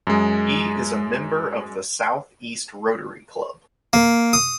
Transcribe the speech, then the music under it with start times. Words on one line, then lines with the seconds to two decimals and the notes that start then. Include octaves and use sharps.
He is a member of the South East Rotary Club.
0.07 F#2 G#3
3.93 A#3
4.33 D#6